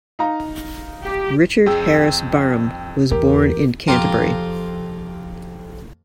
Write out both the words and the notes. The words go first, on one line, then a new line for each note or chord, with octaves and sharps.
Richard Harris Barham was born in Canterbury.
D#4 F5 A#5
G4
F2 G#4 G5 E6
E2 G4 A#4
F2 F4 G4 A#5 C6